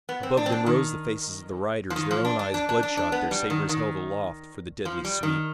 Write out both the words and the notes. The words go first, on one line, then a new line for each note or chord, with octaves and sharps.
Above them rose the faces of the riders, their own eyes bloodshot, their sabers held aloft for the deadly sweep.
B3
C4
D4
C4
D4
D#3
F3
D#3
F3
D4
D4
D4
D4
D4
D4
B3
G3
D#3
D#3
F3
G3
D#3